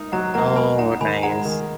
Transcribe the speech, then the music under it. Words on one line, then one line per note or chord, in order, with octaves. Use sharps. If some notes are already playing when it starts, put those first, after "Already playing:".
Oh, nice.
Already playing: D#4 A#4
F#3 F#5 A#5
A#3 F#5 A#5
A#4 G#5 B5
D#4 F#5 A#5
D#3 G#5 B5
G#3 F#5 A#5
D#3